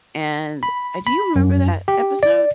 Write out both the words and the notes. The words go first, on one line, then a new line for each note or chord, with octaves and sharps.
and uh, do you remember that episode?
B5
B5
F#2
G4
D5